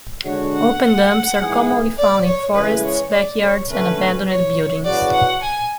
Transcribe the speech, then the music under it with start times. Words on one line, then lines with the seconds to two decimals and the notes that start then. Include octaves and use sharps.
Open dumps are commonly found in forests, backyards and abandoned buildings.
0.25 D3 G#3 D4 F#4 C#5
0.54 F#5
1.40 G#2 E3 B3 E4 G#4
1.98 D5
2.26 C#5
2.54 C#3 E3 G#3 B4
2.84 C#5
3.12 D5
3.41 C#5
3.69 D3 A3 C#4 B4
4.27 C#5
4.85 E2 C#3 F#3 B3 F#4 D5
5.13 F#5
5.42 G#5